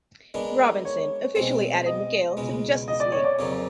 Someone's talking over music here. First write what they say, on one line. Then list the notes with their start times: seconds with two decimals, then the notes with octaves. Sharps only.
Robinson officially added Mikaal to the Justice League.
0.34 D#3 G#3 B3 D4
0.85 C#5
1.35 B2 G#3 C4
1.86 D#5
2.37 C#2 B2 G#3
2.88 D#5
3.00 D5
3.12 C#5
3.24 D5
3.39 F2 C#3 F#3 A#3